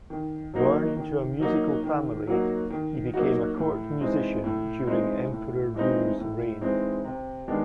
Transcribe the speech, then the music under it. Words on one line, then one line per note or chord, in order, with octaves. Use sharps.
Born into a musical family, he became a court musician during Emperor Wu's reign.
D#3
F#3 A#3 D#4 F#4
D#3
F#3 A#3 D#4 F#4
D#3
F#3 A#3 D#4 F#4
D#3
F#3 A#3 D#4 F#4
A2
E3 G#3 C4 D#4
A2
E3 G#3 C4 D#4
A2
E3 G#3 C4 D#4
A2
E3 G#3 C4 D#4
C3
D#3 G#3 B3 D4